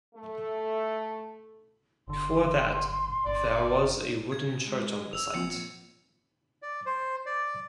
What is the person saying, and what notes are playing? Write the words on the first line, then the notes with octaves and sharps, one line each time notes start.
Before that there was a wooden church on the site.
A3
G1 D3 C6
G1 G2 D5
C#3 G#6
G#3
E1 E6 F7
F3 A#3 C4 F4 C#7
D5
C5
D5